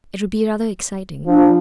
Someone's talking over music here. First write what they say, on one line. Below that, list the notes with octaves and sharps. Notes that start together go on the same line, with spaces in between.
"It would be rather exciting."
F3 D4